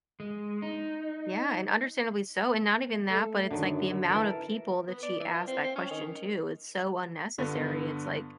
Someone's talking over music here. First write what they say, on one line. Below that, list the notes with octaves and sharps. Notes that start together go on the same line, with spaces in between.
Yeah, and understandably so, and not even that, but it's like the amount of people that she asked that question to, it's so unnecessary, it's like,
G#3
D#4
A3
F#2 D3 D#3
E3 A4 A#4
B3
D5
E3
F4
C4
C4
C#4
D#3
G2 D3 B3 F4